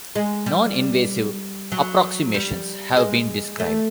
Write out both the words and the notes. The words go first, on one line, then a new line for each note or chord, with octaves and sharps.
Noninvasive approximations have been described.
G#3
G3
F#3
G3
G#3
A3